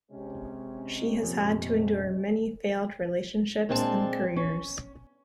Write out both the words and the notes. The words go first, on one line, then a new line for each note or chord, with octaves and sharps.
She has had to endure many failed relationships and careers.
C3 G#3 C#4
F2 A#2
A#2 G#3 C4 D4 G#4 A5
C#4